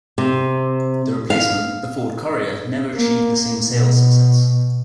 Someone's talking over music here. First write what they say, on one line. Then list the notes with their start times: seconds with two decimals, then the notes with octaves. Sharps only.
The replacement, the Ford Courier, never achieved the same sales success.
0.18 C3
1.30 F5
2.96 A#3
3.68 B2